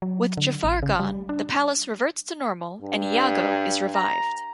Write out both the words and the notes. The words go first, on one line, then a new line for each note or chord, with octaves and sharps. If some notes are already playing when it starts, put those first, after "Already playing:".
With Jafar gone, the palace reverts to normal and Iago is revived.
F#3
D3
A1
C#3
G3
D4
G2
A#5